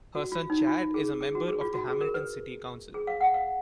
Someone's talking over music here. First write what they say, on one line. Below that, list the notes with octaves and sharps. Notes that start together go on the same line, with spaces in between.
Her son Chad is a member of the Hamilton City Council.
F#4
F4
D#4
F4
G#4
G#4
F#4
G#4
F4
F#4
G#4
A#4
B4
G#4
F5
F#5
F5